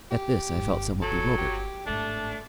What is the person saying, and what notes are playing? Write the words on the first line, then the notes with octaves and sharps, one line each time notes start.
At this I felt somewhat bewildered.
G4
G1 D#4
F#3 A4
G4
G#1 A2 A3 D4